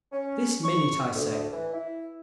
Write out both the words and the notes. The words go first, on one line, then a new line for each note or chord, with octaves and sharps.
This minute, I say.
C#4
C#6
D2
E3
E4